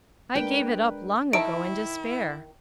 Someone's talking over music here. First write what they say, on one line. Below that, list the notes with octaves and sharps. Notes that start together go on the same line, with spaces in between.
"I gave it up long ago in despair."
G#3 D4 A#4 B4 G5
D#3 E4 E5 A5 D7